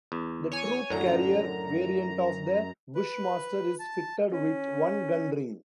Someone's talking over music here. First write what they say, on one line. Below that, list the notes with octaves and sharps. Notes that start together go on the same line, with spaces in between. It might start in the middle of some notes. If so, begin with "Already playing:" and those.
The troop carrier variant of the Bushmaster is fitted with one gun ring.
E2
C#5 G#5
F#2 A2 D3 A#5
B4
A5
C#4